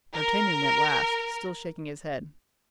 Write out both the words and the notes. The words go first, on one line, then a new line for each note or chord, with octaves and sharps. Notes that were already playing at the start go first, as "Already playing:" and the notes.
D'Artagnan went last, still shaking his head.
A#4